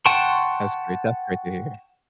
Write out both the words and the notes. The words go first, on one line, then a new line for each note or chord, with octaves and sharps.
That's great that's great to hear.
F#5 G5 A5 C6 C#6